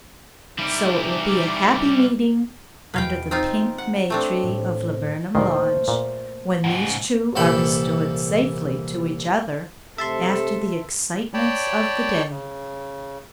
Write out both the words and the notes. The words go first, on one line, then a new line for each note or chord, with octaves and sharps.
So it will be a happy meeting under the pink may tree of Laburnum Lodge when these two are restored safely to each other after the excitements of the day.
E3 G3 D#4 E4 D6
E2 B2 B4 F5 G5
C4 D#4 F4 F6 A#6 C7
D7
F#5
A3 C4 D4
A2 F3
D2 A#2 D#3 A3 A#3 C5
A#2
C#2 G#2
C2 A#2 E3 A4 G5 B5
C3 A3 A4 E5 A5 C6
C#5 D5 G5 A5 B5
C#3